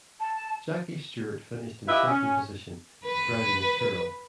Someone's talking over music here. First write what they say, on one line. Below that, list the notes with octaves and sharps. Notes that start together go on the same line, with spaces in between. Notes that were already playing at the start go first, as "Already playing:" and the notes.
Jackie Stewart finished in second position, driving a Tyrrell.
A5
E4 F4 G4 B4 D#5 E5
C#4
B4